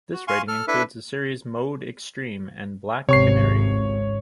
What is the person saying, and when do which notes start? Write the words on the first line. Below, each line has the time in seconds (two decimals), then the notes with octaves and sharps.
This writing includes the series "Mode Extreme" and "Black Canary".
0.13 F#4
0.28 F5 G#5 C6 C#6
0.48 A4 F6
0.68 D4 E4 A4 B4 E5
3.09 G#1 C#2 C3 C#5 C#6 C7